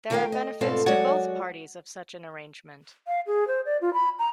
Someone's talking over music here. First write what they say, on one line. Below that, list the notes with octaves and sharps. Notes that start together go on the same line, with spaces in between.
There are benefits to both parties of such an arrangement.
F2 D#3 A3 A#4 F5 G5
D#5
G#2 B2 C4 F4 A4 D5
F#3 G#3 F#4 C#5 D5 F#5
F5
G#4
C5
D5
F4
B5
A#5